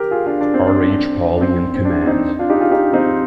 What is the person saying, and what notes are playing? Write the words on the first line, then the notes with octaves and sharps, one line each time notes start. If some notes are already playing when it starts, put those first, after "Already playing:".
R. H. Pauli in command.
Already playing: G4 A#4
F4 G#4
D4 F4
D4
C4
D4
D4
C4
C4
D4
C4 D#4
D4 F4
D#4 G4
F4 G#4
D#4 G4
C4 D#4